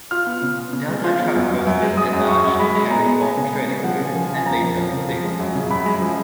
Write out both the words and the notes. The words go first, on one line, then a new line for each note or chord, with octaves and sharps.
Delta trucks were soon enlarged to carry four trailing wheels, and later six.
F4 F6
B3
C#3
B3
C#3
G#3
F4
B3
F#2
F#2
F#2
G#3
G#3 D#6
F#2
F#2 C#6
F#2
G#3 B5
G#3
B3 A#5
B3
B3 G#5
C#3
G#3
C#3
F3 F#5
C#3
G#5
F3
G#5
C#3
F2 A#5
F2
F2
C#3
F3
G#3
F#2
C#3
F#2 B5
G#3
F3